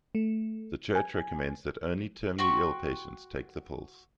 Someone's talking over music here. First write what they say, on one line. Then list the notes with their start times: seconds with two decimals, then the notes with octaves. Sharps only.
The Church recommends that only terminally ill patients take the pills.
0.15 A3
0.95 G#5
2.38 F#4 G5 C6 C#6